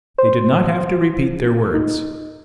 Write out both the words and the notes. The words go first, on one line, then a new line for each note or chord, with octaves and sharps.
They did not have to repeat their words.
C5
D#4